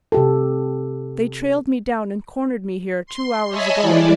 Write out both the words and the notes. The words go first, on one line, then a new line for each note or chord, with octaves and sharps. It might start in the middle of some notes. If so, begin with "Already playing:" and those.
They trailed me down and cornered me here two hours ago.
C3 G4 A4
C6
C#5 D#5 E5 G#5 A5 B5
E3 G3 G#3 E4 D5